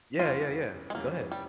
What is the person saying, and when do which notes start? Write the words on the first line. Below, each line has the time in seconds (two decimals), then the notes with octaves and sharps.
Yeah, yeah, yeah. Go ahead.
0.19 F1 E2 E3 G3 C#4 F4
0.90 G#3
0.95 F1 E2 E3 G3 A#3 C#4
1.32 G3